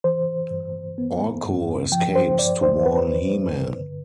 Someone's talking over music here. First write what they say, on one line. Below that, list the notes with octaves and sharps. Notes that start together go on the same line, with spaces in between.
Orko escapes to warn He-Man.
E3 C5
G2
B3
G2
F3 G5
C5
G2 D5
C5
C4 B4
G2
D3